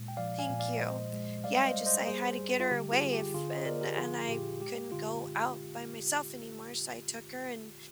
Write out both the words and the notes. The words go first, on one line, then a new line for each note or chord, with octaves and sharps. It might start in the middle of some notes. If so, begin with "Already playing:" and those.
Thank you. Yeah, I just I had to get her away if and and I couldn't go out by myself anymore, so I took her, and,
Already playing: A#2 G#3
G5
F3 D5 F5
F5 G#5
A#2
D5 F5
G#3 C5 D#5
G#3
G3 D5 F5
F5
C5 D#5
G3
C5 D#5
G3 G#4 C5
G3
F4
D3 G4
F4 G#4
D3
G4
D3 F4 G#4
C5 D#5
D3 A#4 D5
G4 A#4
F3 F4 G#4
A#2 G4
G#3 G4
D3 F4